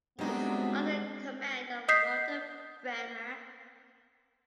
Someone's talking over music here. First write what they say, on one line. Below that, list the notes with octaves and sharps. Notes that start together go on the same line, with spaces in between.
It was under the command of Walter Brehmer.
F#2 F#3 G#3 B3 C4 D4 D#4 G4
D#5 D#6 G6 B6 C7